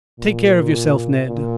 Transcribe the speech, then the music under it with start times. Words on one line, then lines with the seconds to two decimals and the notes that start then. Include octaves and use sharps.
"Take care of yourself, Ned."
0.20 A#2
1.26 A#2